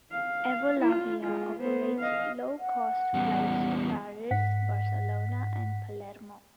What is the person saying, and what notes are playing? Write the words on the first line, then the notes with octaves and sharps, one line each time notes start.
Evolavia operates low cost flights to Paris, Barcelona, and Palermo.
F5
F4
G#3 F4
B3 C5
D#5 F5
F#5
E2 G3
G#2 F#5 B6